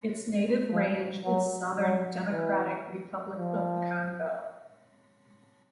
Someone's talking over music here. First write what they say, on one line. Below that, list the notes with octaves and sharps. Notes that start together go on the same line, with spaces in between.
Its native range is southern Democratic Republic of the Congo.
F3
F#3
F#3
E3
F3